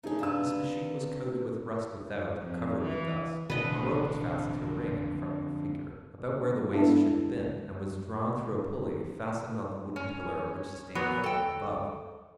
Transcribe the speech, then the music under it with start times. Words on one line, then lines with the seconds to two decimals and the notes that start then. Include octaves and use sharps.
This machine was coated with rust without, and covered with dust; a rope was fastened to a ring in the front of the figure, about where the waist should have been, and was drawn through a pulley, fastened on the wooden pillar which sustained the flooring above.
0.03 A3 C#4 D#4 G#4
0.19 C3 D4 F4 B4 F5 E6
2.42 F2
2.83 E3
3.50 A1 F2 B2 D3 E3 B4 D#5
6.73 G#3 B3 D4 E4 A4
9.96 C#4
10.95 A#2 F#3 B3 F#4
11.24 A4 G5